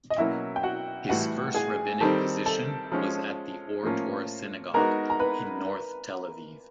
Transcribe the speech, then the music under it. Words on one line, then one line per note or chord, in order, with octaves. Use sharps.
His first rabbinic position was at the Ohr Torah synagogue in North Tel Aviv.
D#5
B2 F#3 A#3 C#4 E4 E5
G5
F#4 F#5
A2 E3 G3 F#4 F#5
G#4 G#5
D#3 G3 C4 A4 A5
A4 A5
F3 G#3 C#4
A2 F3 A#3 C#4 F4
G#3 B3 D#4 F#4 A#4 A#5
A#5
B4 B5